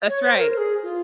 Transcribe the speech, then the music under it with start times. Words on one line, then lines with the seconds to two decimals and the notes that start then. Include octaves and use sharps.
That's right.
0.09 C#5
0.24 C5
0.38 A#4
0.54 A#4
0.57 G#4
0.83 F4